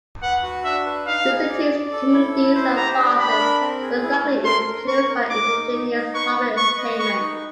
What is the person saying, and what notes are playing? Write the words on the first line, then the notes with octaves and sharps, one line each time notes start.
Vicente's comedies and farces were likely influenced by indigenous popular entertainment.
B4 F#5
F#4
D4 E5
B4
D#4 F5
G#4
D5
D5
A4
E4
E4
C5
G4 A#5
D4
D4 B5
A#4
C4
G#4
E4
A3
A#4 C6
A#4
A#4 C#6
A#4
D#4 D6
D#4
D#4
D#4
B4 C#6
B4
B4 C#6
D#5
B4 C#6
D#4